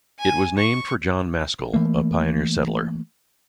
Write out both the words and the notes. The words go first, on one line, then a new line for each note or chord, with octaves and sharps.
It was named for John Maskell, a pioneer settler.
G#5
C#6
E3 A3 A#3